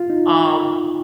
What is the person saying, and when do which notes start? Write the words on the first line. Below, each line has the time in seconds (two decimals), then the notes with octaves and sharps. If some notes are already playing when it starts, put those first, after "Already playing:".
U um,
Already playing: F4
0.10 D#4